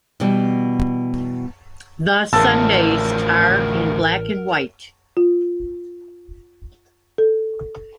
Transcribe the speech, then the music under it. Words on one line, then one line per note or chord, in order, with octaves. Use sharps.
The Sundays are in black and white.
B2 E3 G3
A1 D2 F3 A#4 A5 E6 A6
F4
A4